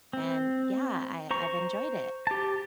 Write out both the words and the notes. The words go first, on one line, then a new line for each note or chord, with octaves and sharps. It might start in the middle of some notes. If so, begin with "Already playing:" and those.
And yeah, I I've enjoyed it.
C4
C5 A#5 C#6
G4 A5